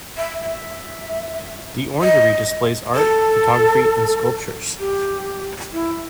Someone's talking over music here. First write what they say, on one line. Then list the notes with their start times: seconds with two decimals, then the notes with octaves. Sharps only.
The orangerie displays art, photography and sculptures.
0.18 E5
0.42 E5
2.02 D#5
2.95 A4
4.79 G4
5.73 E4